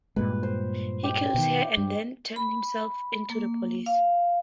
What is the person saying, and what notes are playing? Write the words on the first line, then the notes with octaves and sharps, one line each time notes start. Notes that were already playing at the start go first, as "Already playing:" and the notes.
He kills her and then turns himself in to the police.
G2 A#2 G#3 B4
C5
G4 G5
B2 D#3
G2
B5
A#3
F5